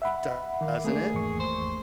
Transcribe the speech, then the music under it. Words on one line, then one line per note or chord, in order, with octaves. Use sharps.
Doesn't it?
E5 F#5 B5
D#3 A#3
A3 A#3 D4 G#4
G#1 E2 C#6
C5